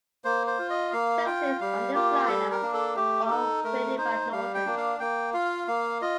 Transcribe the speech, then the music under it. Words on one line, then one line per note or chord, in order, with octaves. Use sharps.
Services on this line are operated by Northern.
A#3 C5
C5
F4
D#5
A#3 F5
F4 G5
G3 F5
A#3 F4 G4
G3 A4
A#4
A#3 D4
A4
A3 G4
G4
D#4 A4
A3 A#4
D#4 C5
G3 F5
G5
A#3 D4
F5
A#3 G5
F4 F5
A#3 F5
F4 D#5